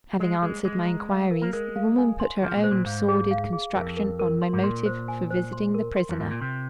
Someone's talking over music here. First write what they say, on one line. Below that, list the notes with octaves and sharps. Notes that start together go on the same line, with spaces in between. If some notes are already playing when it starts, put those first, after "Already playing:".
Having answered my inquiries, the woman put her own sordid construction on my motive for visiting the prisoner.
G#3 D#5
G#3 G#4
G#3 G#4
A#5
F5
A#4
A#3
G#3 A#4
F5
G#5
C6
F3 G#4
A#2
C5
A#2
G#2 F5
G#4
F5
G#4
F2 A#4
A#4
A#4
C6
G#2
A#2 C6
C5
G#5
C5
C6
A#4
C6
F2
G#2 F4
A#2
C3 C6